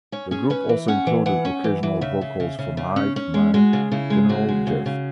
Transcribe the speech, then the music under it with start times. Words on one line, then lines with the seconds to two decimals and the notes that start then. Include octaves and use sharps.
The group also included occasional vocals from hype man General Jeff.
0.12 C#4 C#5
0.31 C#4 G#4
0.50 C#4 B4
0.69 E3
0.88 C#4 F#5
1.07 E3
1.26 E3 F#5
1.45 C#4
1.64 E3
1.83 E3
2.01 C#3 E5
2.21 C#3
2.40 C#3
2.59 C#3
2.77 C#3
2.96 C#4
3.16 C#4
3.34 G#3
3.54 G#3 F#4
3.73 C#3
3.92 C#3 E4
4.10 G#3
4.29 C#3 F#4
4.48 G#3
4.67 C#3
4.86 C#3